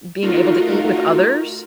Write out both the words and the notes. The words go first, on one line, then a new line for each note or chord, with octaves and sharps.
being able to eat with others.
A3 D#4 F4 F#4 A#4